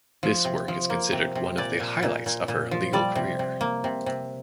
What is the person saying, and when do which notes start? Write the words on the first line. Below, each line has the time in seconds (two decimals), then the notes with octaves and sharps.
This work is considered one the highlights of her legal career.
0.23 F3
0.45 C3
0.68 F3
0.90 A#3
1.12 C3
1.35 C3
1.58 A#2 D5
1.80 A#2
2.03 A#2
2.26 A#2
2.48 A#2
2.71 F3
2.93 G3 D5
3.15 C3
3.39 C3
3.61 A#3
3.84 C3
4.06 C3